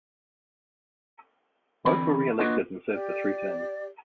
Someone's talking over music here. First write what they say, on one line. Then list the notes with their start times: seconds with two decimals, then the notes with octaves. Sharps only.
Both were re-elected and served for three terms.
1.85 D3 E3 C4 B5
2.39 A#3 D4 F4 F#4 B4 D#5
2.92 G4 D5